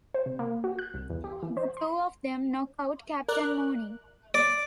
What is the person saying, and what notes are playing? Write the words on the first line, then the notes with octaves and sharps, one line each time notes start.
The two of them knock out Captain Mooney.
C5
C3
A#3
F#4
F#6
C2
E2
G4
E3
C5
C6
A#4 D5 F#6
D5